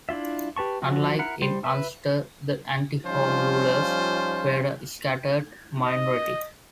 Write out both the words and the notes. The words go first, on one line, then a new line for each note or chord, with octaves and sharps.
Unlike in Ulster, the anti-Home Rulers were a scattered minority.
D4 E4 F4 E5
G4 B4 A5 C#6
F3 F#4
E4 A#4 F#5
G3 C5
B4 E5
F3 G3 C#4 D#4 F4 C5
D#5